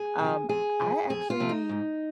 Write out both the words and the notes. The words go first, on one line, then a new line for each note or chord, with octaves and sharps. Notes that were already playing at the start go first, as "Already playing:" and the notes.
um, I actually
Already playing: G#4
C3 F3
F2 G#4
C3 F3
F2 G#4
F4
C3 F3
D#4
G#2